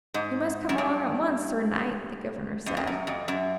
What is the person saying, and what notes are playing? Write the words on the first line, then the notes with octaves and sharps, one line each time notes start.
"You must come along at once, sir knight," the governor said.
G#2
F#2
G2
F#2
F2
F#2
F2
F#2